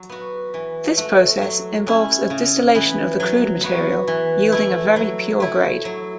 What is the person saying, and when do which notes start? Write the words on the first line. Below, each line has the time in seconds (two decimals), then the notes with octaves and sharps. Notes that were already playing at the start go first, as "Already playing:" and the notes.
This process involves a distillation of the crude material yielding a very pure grade.
Already playing: F#3
0.10 B3 F#4
0.54 E3
0.97 A3 F#4
1.41 F#3
1.87 C#4 E4
2.30 C#3
2.75 E3 B3
3.20 F#3
3.63 B3 F#4
4.08 E3
4.52 A3 E4
4.96 F#3
5.40 A3 E4
5.85 F#3